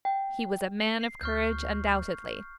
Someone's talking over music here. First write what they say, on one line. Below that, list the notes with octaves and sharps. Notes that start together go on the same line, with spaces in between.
He was a man of courage undoubtedly.
G5
C7
D2 C#6 F6 G6